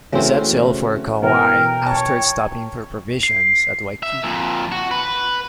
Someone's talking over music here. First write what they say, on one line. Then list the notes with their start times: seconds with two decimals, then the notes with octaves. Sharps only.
He set sail for Kauai after stopping for provisions at Waikiki.
0.12 C#3 E3 A3 C4 C#4 F#4
1.22 B2 E3 A#4 G5
1.86 C#5 A5
3.23 C7
4.03 E5
4.23 F2 A#2
4.72 F#4
4.91 B4